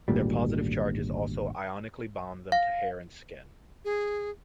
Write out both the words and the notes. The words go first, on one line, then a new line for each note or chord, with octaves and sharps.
Their positive charges also ionically bond them to hair and skin.
G#1 D2 A#2 G3
F5
G#4